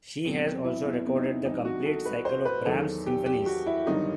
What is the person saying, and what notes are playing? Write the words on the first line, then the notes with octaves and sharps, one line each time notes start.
She has also recorded the complete cycle of Brahms' symphonies.
E2 B2 F#3 C4
C4
E4
B3
B3
D#4
C4
C2 C3 E3 D#4
F#4
A4
B4
C5
B4
E2 D#3 F#3 A4
G4
G4
F#4
E4
G1 G2 D#3 F#3 D#4